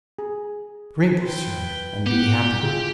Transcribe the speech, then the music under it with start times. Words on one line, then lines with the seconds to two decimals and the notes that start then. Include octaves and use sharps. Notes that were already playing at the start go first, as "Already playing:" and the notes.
Drink, sir, and be happy!
0.19 G#4
1.22 B4 G5 C6
2.06 B3 G4 F#5
2.63 D3 E4 F4 G#4